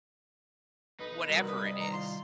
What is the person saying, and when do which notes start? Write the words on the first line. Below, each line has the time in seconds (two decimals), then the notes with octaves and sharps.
whatever it is.
1.00 B1 D#4 B4 B5
1.29 C2 F#4 A#4 A#5
1.48 B4 D#6
1.64 D#4 E4 D#5 F#5
1.80 D#3 A#5
1.92 F4 C6